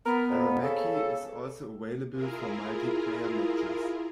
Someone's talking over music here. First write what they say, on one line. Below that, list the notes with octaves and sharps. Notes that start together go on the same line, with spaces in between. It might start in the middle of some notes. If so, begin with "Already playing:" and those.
Aramaki is also available for multiplayer matches.
B3 A#4
F2
C#3 A4
E4 F4 G#4 A#4